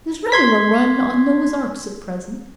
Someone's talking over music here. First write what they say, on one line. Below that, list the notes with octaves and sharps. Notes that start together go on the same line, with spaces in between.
There's rather a run on Noah's Arks at present.
C6 G#6 B6